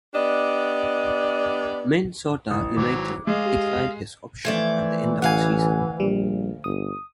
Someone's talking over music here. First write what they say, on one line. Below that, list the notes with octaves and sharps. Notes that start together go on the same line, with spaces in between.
Minnesota United declined his option at the end of the season.
B3 D4 G4 D5 D#5
A1 D#6
G#1 E3 F#3 D6
G#3 D#5 F5
G4
E3 F3 A3 D5 G#6
A1 D2 F5 F#5 G#5
A#1 G3
G1 D#6